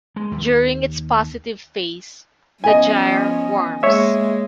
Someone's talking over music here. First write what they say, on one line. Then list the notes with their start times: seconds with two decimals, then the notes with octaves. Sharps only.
During its positive phase, the gyre warms.
0.16 G#3
0.31 D#2
2.64 F3 B3 C#4 D#5 G#5
3.83 G#3 A#3 C#5 E5